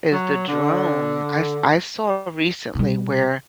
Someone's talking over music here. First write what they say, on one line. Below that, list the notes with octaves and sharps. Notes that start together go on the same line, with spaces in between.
is the drone. I s I saw recently where
F#3
D3
B2 G3